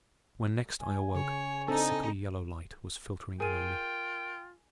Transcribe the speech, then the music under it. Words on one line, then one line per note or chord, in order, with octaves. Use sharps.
When next I awoke, a sickly yellow light was filtering in on me.
G#5
C#3 C#5
C4 D4 D#4 A4 D#5
F4 G#4 A#4 G5 D#7